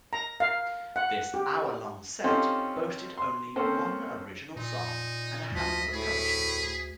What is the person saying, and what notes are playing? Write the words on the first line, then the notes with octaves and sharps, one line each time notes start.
This hour-long set boasted only one original song and a handful of cover tunes.
A#5
F5
F#5
G4
C4 C#4 D#4 F4 G4 A4
C6
A#3 C4 C#4 A4 C5
A#2 D#4
D2 F3 D#5 B6
A2 G#4